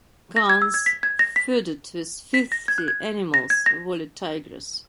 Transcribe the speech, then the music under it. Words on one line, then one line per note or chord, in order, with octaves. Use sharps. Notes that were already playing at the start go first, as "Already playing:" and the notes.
Gunns feuded with the Filthy Animals' valet Tygress.
A#6
G#6
E6
G#6
B6
G#6
A#6
B6
B6
A#6
G#6
F#6
G#6
A#6
G#6
A#6